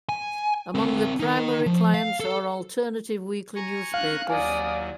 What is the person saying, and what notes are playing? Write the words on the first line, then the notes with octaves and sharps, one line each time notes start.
Among the primary clients are alternative weekly newspapers.
G#5
C4 A#4
D#4 A#4
F3
F5
A4
G#5 A#5 C#6
F5 F#6
D#2 F#3 E4 D5 G#5 D#6